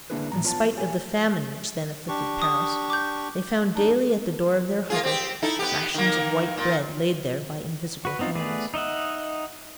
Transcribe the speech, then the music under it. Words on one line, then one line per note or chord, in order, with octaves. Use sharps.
In spite of the famine which then afflicted Paris, they found daily at the door of their hovel rations of white bread, laid there by invisible hands.
D3 A#3 D4 E4 G#4 B4
A2 E3 F3 A#5
B3 F4 C#5 A5
G4 C#5 G#5
D4 G4 C#6
D#6
D6 G6
E2 D4 D#4
A#3 F4 G#4
C4 G4
D#4 E4 A4
B3 G4
D#3 A#3
A#2
F#4 B4
B3 C4 D#4 F4
A3 B3 G#4 B4 D5
D#4 D#5 E5 F#5